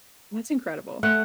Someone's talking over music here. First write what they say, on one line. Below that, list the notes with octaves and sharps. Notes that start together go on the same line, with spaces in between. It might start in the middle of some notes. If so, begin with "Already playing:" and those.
That's incredible.
A3 F#5